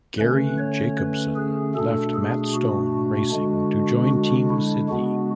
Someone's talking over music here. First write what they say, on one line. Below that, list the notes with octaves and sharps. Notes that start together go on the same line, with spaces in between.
Garry Jacobson left Matt Stone Racing to join Team Sydney.
D3 A3 C#4 B4
C#5
B4
G#4
B2 A3 D4 A4
G#4
F#4
D3 G#3 D4
F#4
E4
C#3 G#3 B3 D4 F#4